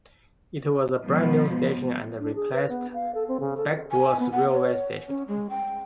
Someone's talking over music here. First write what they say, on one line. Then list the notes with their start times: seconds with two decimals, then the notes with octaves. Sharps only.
It was a brand-new station, and replaced Backworth railway station.
1.04 G#2 B2 F3 B3
2.20 D4
2.36 G#4
2.53 B4
2.68 B3
2.94 F5
3.15 A4
3.28 C4
3.40 C#3
3.57 A4
3.91 G#5
4.19 B3
4.32 F#5
4.53 C#5
5.08 C#4
5.28 G#3
5.50 G5